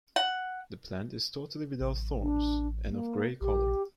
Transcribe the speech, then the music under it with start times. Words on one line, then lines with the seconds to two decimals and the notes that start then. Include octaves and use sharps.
The plant is totally without thorns and of gray color.
0.16 F#5
1.81 A1
2.21 D4
2.90 A#3
3.41 A#1 G4